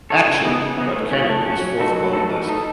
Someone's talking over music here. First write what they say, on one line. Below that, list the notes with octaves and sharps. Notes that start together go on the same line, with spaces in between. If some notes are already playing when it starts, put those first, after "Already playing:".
"Action" got Cannon his fourth gold disc.
D#4 F#4 A4 C#5
C#3
E3 B3 D#4 G#4
C#3
E3 B3 D#4 G#4
A3
C#4 F#4
A3
C#4 F#4
F#3
A3 D#4 F#4 A4
F#3
A3 D#4 F#4 A4
E3
A3 D#4 A4